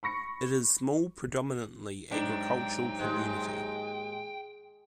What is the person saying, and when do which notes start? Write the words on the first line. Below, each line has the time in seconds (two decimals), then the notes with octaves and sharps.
It is small predominantly agricultural community.
0.03 B5 C#6 A#6 C#7
2.12 G#2 C3 F#3 D4 D#4 G5
2.99 D#2 G#2 G#3